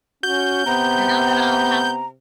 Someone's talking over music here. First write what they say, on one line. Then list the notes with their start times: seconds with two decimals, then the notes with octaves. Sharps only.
now that I'll have
0.23 C#4 F#4 G6
0.66 C3 B3 A#5